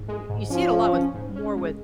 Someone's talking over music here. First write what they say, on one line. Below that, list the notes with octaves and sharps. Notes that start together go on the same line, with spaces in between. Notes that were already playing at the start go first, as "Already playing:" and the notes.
y you see it a lot with more with
Already playing: G#2
G#3
G#2
F3 C#4
C#4
C#4
G#2
C#4
G#3